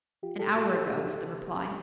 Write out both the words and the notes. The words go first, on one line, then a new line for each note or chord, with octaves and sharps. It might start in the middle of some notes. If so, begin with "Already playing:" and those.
"An hour ago," was the reply.
F3 F4 G4
G4 A4
A#2
F#4 G#4
F3 G4 A4
F3
C3
F3